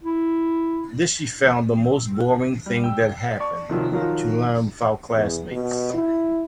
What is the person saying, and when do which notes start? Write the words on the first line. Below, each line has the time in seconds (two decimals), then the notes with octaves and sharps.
This she found the most boring thing that happened, to learn without classmates.
0.03 E4
2.66 G3
2.84 G5 E6
3.39 D5 A5 C#6
3.70 C3 D#3 F3 F#3
3.92 D#3 F3 F#3 F4 A#4
5.15 E2
5.52 B2
5.94 E4